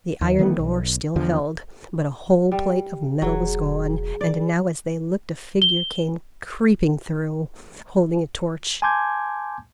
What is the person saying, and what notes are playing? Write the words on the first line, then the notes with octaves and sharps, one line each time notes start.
The iron door still held, but a whole plate of metal was gone, and now as they looked a figure came creeping through, holding a torch.
D#2
D#3 E3 A3 B3
B1
E2 D3 F3
G3
E1 F#3 G#4
D5
G7
G#5 A5 C6 D6 G6 G#6